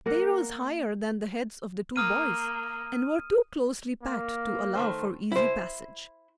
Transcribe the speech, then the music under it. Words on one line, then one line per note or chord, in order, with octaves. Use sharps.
They rose higher than the heads of the two boys and were too closely packed to allow for easy passage.
A#3 A#4 F#5
A#3 D#6 F6 D#7
A#3
D#3 A3 C5
E4 C5